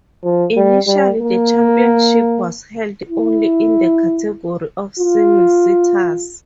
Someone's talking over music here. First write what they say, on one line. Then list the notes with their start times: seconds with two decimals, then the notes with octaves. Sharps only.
Initially the championship was held only in the category of single seaters.
0.24 F3
0.57 G3
0.88 G3
1.19 A#3
3.09 E4
4.99 F4